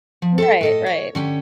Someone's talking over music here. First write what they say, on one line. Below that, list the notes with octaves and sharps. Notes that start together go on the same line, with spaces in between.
Right, right.
F3
A4 C5 E5
A2 A4 D#5
C#5
D3 C#4 G4